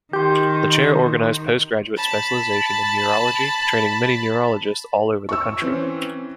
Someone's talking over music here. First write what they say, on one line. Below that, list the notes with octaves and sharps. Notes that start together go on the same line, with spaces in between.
The chair organized post-graduate specialization in neurology, training many neurologists all over the country.
D#3 G4 C6 G6
A5 B5
C#6 E6
E3 C4 C#4